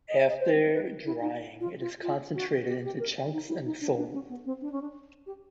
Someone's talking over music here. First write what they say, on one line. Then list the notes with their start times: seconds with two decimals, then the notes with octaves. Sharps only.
After drying it is concentrated into chunks and sold.
0.09 D#5
0.18 E5
0.29 D#5
0.40 C5
0.74 B4
1.05 E4
1.21 D#4
1.60 F4
1.81 F4
2.02 F4
2.35 F#4
2.68 G4
2.84 G4
2.99 A#4
3.33 D#4
3.48 E4
3.65 D#4
3.81 D4
3.97 D4
4.13 C#4
4.29 B3
4.45 C4
4.61 D4
4.72 C#4
4.81 D4
5.26 G4